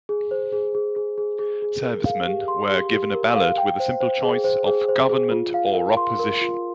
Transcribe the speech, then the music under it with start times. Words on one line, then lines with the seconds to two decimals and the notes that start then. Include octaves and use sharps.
Servicemen were given a ballot with the simple choice of "Government" or "Opposition".
0.09 G#4
0.31 C5
0.53 G#4
0.75 G#4
0.96 G#4
1.18 G#4
1.39 G#4
1.62 G#4
1.83 A#4
2.05 F5
2.27 G4
2.48 C6
2.71 G4
2.92 G4
3.14 A#4
3.36 F5
3.58 G5
3.80 C5
4.00 C5
4.23 G#4
4.44 C5
4.66 G#4
4.89 C5
5.10 G#4
5.31 F4
5.54 F5
5.75 A#4
5.97 C6
6.19 A#4
6.41 F4